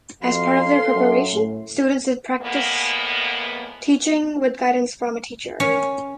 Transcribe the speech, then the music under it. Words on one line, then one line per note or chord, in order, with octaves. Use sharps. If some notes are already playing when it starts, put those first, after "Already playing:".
As part of their preparation, students did practice teaching with guidance from a teacher.
F2 F#4 F5 C6
A4
F#2
A2 A3
F2 A2 G#3 A#3 B3
C#4